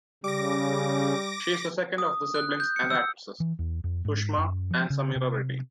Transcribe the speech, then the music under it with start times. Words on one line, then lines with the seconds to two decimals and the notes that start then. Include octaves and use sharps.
She is the second of the siblings and actresses, Sushma and Sameera Reddy.
0.24 C#3 G3 D6 A#6
1.98 D#6
2.34 F#6
2.60 G6
2.76 C#7
2.90 E6
3.40 E3
3.59 E2
3.84 F2
4.05 G#2
4.38 F#2
4.71 F3
4.90 C#3
5.16 C3